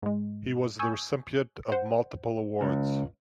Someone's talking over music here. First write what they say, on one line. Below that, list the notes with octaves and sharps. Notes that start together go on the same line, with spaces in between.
He was the recipient of multiple awards.
G#2 G#3
G#5 C#6 D#6 E6 G6 G#6
C5 F#5
C#2